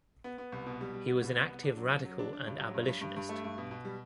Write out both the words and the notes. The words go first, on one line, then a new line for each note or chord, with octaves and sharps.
He was an active radical and abolitionist.
B3
B3
C2
B2
G3
G3
B3
C2
B3
B3
D4
F#3
F#2
F#3
D4
D4
G2
F#3
G2
G2
G2
G2
A3
G2
B2
B2
G3